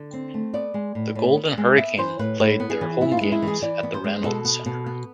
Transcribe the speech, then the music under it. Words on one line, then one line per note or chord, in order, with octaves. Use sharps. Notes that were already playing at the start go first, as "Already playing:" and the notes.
The Golden Hurricane played their home games at the Reynolds Center.
Already playing: D3
C4
A3
B3 D5
G#3
A2
A2
B3
G#3
B3 E5
E3 C5
A2 B4
A2 A4
B3
G#4
E3
B3 E4
F4
G#3 E4
E4
E3
G#4
E3 D5
B3
C5
G#3
B2 A4
B3
B2
B3